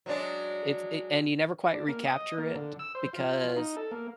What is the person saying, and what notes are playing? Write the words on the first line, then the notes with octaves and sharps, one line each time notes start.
it's it and you never quite recapture it because
F#3 G#3 D4
D4
A#3
D#5
A#3
D3
E6
C5
F4
D#4
A4
A#3